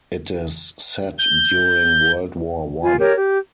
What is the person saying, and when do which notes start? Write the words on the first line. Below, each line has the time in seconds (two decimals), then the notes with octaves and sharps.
It is set during World War One.
1.19 G6
2.82 F4 G#5
2.99 G4 A#4 C#5
3.15 G4